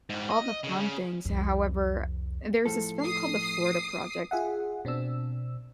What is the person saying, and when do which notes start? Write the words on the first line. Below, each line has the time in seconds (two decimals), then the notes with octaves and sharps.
All the fun things, h however, there's this film called The Florida Project,
0.10 G#2 G3
0.30 D#5
0.63 D2 C#3
0.79 C#3
1.25 C2 F2
2.66 A2 F3 A4
2.99 D#6 C7
4.31 F4 G#4 E5 F#5
4.85 B2 C4 D4 E6